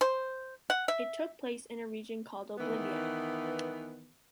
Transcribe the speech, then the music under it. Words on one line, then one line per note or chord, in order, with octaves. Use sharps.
It took place in a region called Oblivia.
C5
F#5
E5
D#3 E3 B3